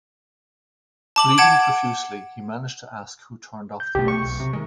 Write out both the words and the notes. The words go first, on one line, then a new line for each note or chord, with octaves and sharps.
Bleeding profusely, he managed to ask who turned off the lights?
A5 D6 F#7
F#5 A5 G#6 D7
G6
C#2 B2 A3 G4
C#6
B1
C3
D#3 G#3